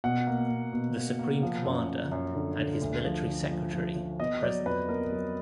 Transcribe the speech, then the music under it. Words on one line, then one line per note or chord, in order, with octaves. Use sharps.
The Supreme Commander and his Military Secretary were present.
B2 F#5
A#3
B2
B2
A#3
A#3
F3
F#2
F#2
F#2
D3
D3
D2
F3
D3
F3
F3
F3
B3 D#5
F#3 D5
F2 B4
B3 A#4
F#3